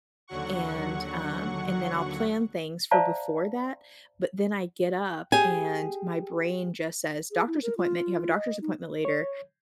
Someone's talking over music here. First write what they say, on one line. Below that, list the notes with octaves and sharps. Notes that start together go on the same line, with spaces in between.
and, um and then I'll plan things for before that, but then I get up and my brain just says, "Doctor's appointment, you have a doctor's appointment later,"
D#2 D3 F#3 F#5 C#6
C5 D5 E5 F5 A5 A#5
G4 G#4 G#5
G#4
E4
A#4
F4
D#5
D#4
C#5